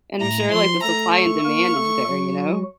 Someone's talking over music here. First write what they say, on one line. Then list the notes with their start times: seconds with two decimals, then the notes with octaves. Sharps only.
And I'm sure, like, the supply and demand is there, you know.
0.21 A2 A3 A#5
0.51 F3 F4 C6
0.82 A3 A4 A#5
1.14 C#6
1.45 A#3 A#4
1.76 A3 A4
2.07 F#3 F#4